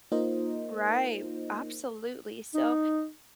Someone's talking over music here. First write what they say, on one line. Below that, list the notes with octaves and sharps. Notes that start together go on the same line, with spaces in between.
Right. Absolutely, so,
A#3 D#4 F4 A#4 C5 D#5
D#4